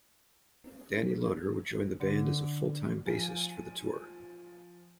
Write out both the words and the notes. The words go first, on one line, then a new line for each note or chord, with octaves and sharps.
Danny Lohner would join the band as full-time bassist for the tour.
D3
F3 G#5